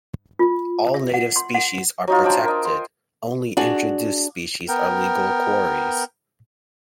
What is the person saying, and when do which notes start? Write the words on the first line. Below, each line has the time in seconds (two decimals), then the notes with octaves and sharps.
All native species are protected, only introduced species are legal quarries.
0.39 F4
0.94 E5
1.14 F#5
1.36 C6
1.54 F#5
2.08 F#3 D#4 F4
2.25 D4 C5 G5 G#5
2.44 A#4 D#5
2.65 C6
3.57 D4 F#4 G#4
4.68 B3 A#4 G5